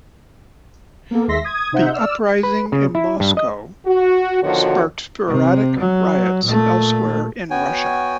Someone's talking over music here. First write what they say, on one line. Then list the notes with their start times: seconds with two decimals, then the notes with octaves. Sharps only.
The uprising in Moscow sparked sporadic riots elsewhere in Russia.
1.11 A#3 B3 A4
1.28 D#2 G#3 E5 C6 A#6 B6
1.44 D#6 G#6
1.72 C3 D#4 C5 E5 F#5 G6
1.93 D5 E6 F6
2.43 B4
2.72 C#3
2.95 E4
3.20 G2
3.37 D#5
3.86 F#4
4.43 B2 D3 D#3 F3 F#4 C#5
5.27 C3
5.79 F#3
6.45 A#2 A3
7.50 B3 F#4 C#5 G5 G#5